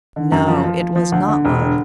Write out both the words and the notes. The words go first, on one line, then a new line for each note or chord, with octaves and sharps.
No, it was not luck.
D3
F#2
F3
F3
F3
F3
D2
D3
E1
D3